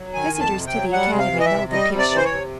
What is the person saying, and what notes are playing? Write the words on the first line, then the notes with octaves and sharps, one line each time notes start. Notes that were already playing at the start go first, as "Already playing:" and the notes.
Visitors to the Academy know the picture.
Already playing: F#3
D#3 G#5
F2 G#5
A5
C3
G5
F#3
G3 F#5
C3
F5
E3
D#5
E5
C3
G3 D#5
C3
D5
E3
C5
C#5
C3